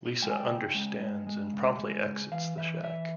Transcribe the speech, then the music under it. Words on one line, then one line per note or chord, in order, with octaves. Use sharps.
Lisa understands and promptly exits the shack.
G#3 G5
G#5
G5
C#3
G#3
G#3
G#3
C#3
G#3
C#3
E3 F5
E3 E5
E3 E5